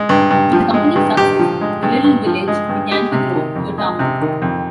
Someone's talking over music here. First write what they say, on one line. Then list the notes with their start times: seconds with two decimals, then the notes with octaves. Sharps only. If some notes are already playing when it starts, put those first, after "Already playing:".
With the company's success the little village began to grow to a town.
Already playing: G#3
0.09 G2
0.31 G2
0.53 F3
0.74 G#3
0.96 G2
1.17 G2 G4
1.39 F3
1.61 G#3
1.83 G2
2.04 G2
2.26 F3
2.48 G#3
2.69 G2
2.91 G#3 G4
3.12 C3
3.35 D#3
3.56 F2
3.78 G#3
3.99 C3
4.21 D#3
4.42 F2